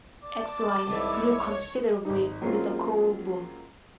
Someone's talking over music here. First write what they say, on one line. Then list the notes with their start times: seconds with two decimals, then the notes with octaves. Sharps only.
Exline grew considerably with the coal boom.
0.22 D5 A5 D6
0.87 C2 G#2 E3 E4 C#5
2.05 G#1 D#4
2.42 F#3 G#3 A#3 C4 C#4 F4